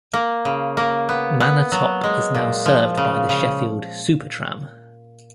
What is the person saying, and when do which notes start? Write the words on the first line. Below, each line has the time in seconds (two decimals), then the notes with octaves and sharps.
Manor Top is now served by the Sheffield Supertram.
0.13 A#3
0.45 C#3
0.77 A#3
1.09 B3
1.40 B3
1.72 F#3
2.04 G#3
2.35 A#2
2.66 F3
2.97 C#3
3.29 C#3